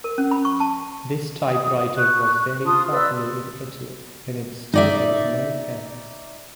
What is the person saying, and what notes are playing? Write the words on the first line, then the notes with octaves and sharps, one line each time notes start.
This typewriter was very popular in Italy, and it still has many fans.
A#4
C#4
B5
C#6
A5
D#6
C#6 F#6
F4 A5 C6 D#6
B4 D5 C6 E6
D#4 D5 E5